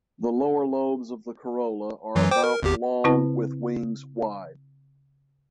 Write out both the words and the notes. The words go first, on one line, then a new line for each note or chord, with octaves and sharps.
The lower lobes of the corolla are about long with wings wide.
F#2 E3 F#3
C5 G5 D6
A#4
G#1 E2 G4
C#3 C4 E4 B4 A5